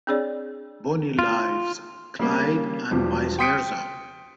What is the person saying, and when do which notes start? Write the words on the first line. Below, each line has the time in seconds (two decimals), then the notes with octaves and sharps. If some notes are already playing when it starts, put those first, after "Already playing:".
Bonnie loves Clyde and vice versa.
0.07 C4 D4 G#4 C#5 D5
1.19 F4
2.19 C#3 G3 A#3
2.91 E1 F3 G3
3.39 G5 C6 D#6 B6 C#7 D7